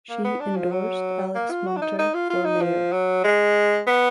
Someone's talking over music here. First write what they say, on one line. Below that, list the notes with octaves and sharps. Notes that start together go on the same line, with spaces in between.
She endorsed Alex Munter for mayor.
A#3
B3
D4
F3
F#3
A#3
F4
F#4
D4
D#4
D#4
F4
F4
D#4
F3
F#3
G#3
B3